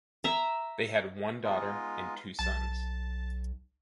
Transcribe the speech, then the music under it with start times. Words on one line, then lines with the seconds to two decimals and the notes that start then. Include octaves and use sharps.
They had one daughter and two sons.
0.24 E5 A#5
1.44 G#3 B3 D#4 F4
2.39 B1 A5